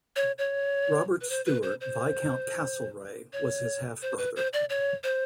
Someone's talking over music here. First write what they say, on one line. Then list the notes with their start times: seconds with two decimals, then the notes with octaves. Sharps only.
Robert Stewart, Viscount Castlereagh, was his half-brother.
0.16 C#5
0.38 C#5
1.21 B4
1.30 C5
1.46 B4
1.63 C5
1.81 C5
3.33 C#5
4.02 C5
4.18 B4
4.36 C5
4.53 D5
4.70 C#5
5.04 C5